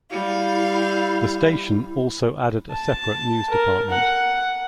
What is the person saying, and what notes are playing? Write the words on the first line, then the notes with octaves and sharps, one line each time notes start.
The station also added a separate news department.
G3 E4 F5
A5
A#4
F#5